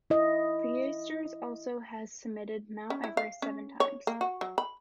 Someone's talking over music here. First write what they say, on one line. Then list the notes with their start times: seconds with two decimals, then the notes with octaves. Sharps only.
Viesturs also has summitted Mount Everest seven times.
0.10 E4 D#5
2.90 C#4
3.04 E4
3.17 F5
3.42 C#4
3.80 C#5
4.07 A#3
4.21 F#4
4.41 F#3
4.58 B5